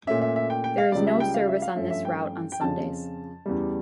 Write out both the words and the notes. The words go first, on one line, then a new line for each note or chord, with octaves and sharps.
There is no service on this route on Sundays.
A#2 A3 C#4 E5
E5
E5
G5
G5
F5
C#2 C#3 G3 D5
E5
G5
F5
E5
F5
G2 F3 A3 C#4 E5
E5
G5
G5
F2 C#3 F3 C#4 A5
E2 C#3 G3